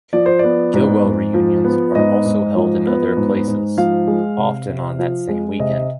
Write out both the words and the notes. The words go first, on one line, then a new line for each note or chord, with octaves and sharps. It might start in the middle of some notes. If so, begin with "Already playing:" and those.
Gilwell Reunions are also held in other places, often on that same weekend.
F3 D5
C5
B3 D5
G#2
G#2
F3
B3
G#2 D#5
G#2
F3
B3
G#2
G#2
F3 F5
G#3
C3
C3
F3
G#3
C3 D#5